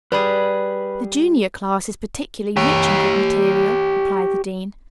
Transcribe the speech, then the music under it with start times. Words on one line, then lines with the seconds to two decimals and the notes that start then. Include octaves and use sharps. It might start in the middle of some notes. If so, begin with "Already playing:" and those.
"The junior class is particularly rich in good material," replied the dean.
0.12 G3 G#4 B4 B5
2.57 G4 C#5